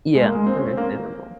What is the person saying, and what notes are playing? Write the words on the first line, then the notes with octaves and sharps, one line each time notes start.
Yeah, understandable.
G#3
A#3
G#3
C4
C#4
C4
A#3